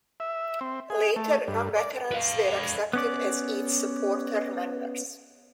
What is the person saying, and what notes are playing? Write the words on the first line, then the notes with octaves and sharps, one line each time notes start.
Later non-veterans were accepted as its supporter-members.
E5
C4
G#4
A3
G2
D5
B4 F5
B3 C#4 D5